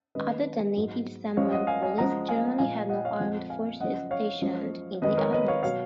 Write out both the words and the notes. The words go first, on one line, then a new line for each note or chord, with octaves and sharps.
Other than native Samoan police, Germany had no armed forces stationed in the islands.
F#2 D#3 G#3 B4 D#5
G#2 F#3
F#2 F3 G#3 C#5 F5
D#5 F#5
F5 G#5
F5 G#5
F#2 C#3 F3 G#3 F#5 A#5
F5 G#5
A#2 F3 G#3 F5 G#5
D#5 F#5
C#5 F5
F2 F3 G#3 D#5 F#5
F5 G#5
F#2 C#3 F3 D#5 F#5
C#5 F5
F#2 F3 G#3
F2 D#3 G#3 B4 D#5
A#4 C#5
B4 D#5
C#5 F5
B2 F#3 C#5 F5